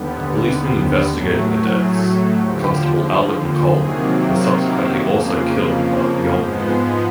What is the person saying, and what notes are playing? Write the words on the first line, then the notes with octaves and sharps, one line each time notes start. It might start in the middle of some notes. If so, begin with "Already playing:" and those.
A policeman investigating the deaths, Constable Albert McColl, was subsequently also killed by Yolngu.
Already playing: D#2 D3 G3 B3
C5
A2 F#3 A3 A#4
A#4
G#4
D#2 D3 F3 G4
C3 D#3 F#3 A#3 G#4
A#4
F2 C#3 F3 A#3 B4
B4
B4
G#2 F3 G#3 B3 C5
C5